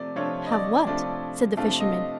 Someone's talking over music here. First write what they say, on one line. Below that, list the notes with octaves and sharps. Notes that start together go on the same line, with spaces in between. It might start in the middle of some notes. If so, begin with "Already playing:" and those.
"Have what?" said the fisherman.
Already playing: C3 F3 A3 D5
C3 F3 A3 D4 F4 C#5
D#5
D5
C3 F3 A3 D4 F4 D5
C3 F3 A3 D4 F4 F5
D#5